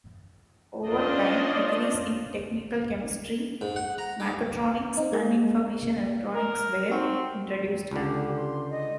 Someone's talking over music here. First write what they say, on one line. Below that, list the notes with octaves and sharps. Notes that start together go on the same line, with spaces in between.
Over time, degrees in Technical Chemistry, Mechatronics and Information Electronics were introduced.
C#4 D4 F4 C5 D5 D#5
G#2
F#5
A#5
G3
C4 D#4
G#3 A#3
A#4
C4 D#4 F#4
C#2 D3 G4
C6
D#5